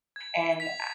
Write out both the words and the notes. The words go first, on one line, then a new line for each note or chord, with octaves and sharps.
and, uh
G#6
B6 F7